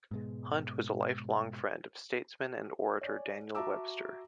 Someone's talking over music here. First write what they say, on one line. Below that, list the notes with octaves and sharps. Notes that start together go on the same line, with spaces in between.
Hunt was a lifelong friend of statesman and orator Daniel Webster.
G#2 B2 G#3
C#5 D5 G#5
F#4 E5 A5 A#5 D6 E6